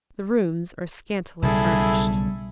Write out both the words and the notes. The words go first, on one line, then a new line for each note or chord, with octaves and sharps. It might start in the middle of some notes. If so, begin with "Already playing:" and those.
The rooms are scantily furnished.
B1 C#3 G3 E4 G#4 A4